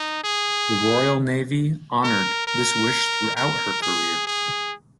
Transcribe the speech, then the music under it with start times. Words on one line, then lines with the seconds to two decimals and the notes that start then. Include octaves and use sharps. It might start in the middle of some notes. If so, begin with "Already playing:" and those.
The Royal Navy honoured this wish throughout her career.
Already playing: D#4
0.24 G#4
2.04 A#4
2.47 A#4
3.36 A#4
3.82 G#4
4.27 G#4